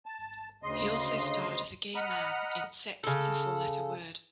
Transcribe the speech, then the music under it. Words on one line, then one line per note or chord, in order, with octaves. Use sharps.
He also starred as a gay man in "Sex Is a Four Letter Word".
A5
D2 C#3 D#5 C6
D#5 F#5 A#5 B5 D#6 F6
C#3 A4